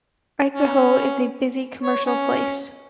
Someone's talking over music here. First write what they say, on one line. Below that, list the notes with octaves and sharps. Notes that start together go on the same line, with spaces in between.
Itzehoe is a busy commercial place.
C#4
C#5
C#4